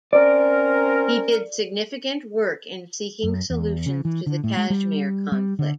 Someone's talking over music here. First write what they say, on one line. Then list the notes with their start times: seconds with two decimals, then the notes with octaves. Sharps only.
He did significant work in seeking solutions to the Kashmir conflict.
0.13 C4 C#4 A#4 D5
3.23 F#2
3.50 E2
3.86 C#3
4.05 E3
4.26 D3
4.44 A2
4.57 G#3
4.70 G3
5.32 G3
5.59 D3